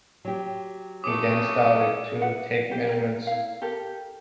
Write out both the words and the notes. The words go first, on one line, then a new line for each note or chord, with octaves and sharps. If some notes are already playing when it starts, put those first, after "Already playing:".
He then started to take measurements.
F#3 G4
A3 C#4 D6 D#6
B4 E5 F#5
G4
A#4
E4 F5
G4 A4 A#4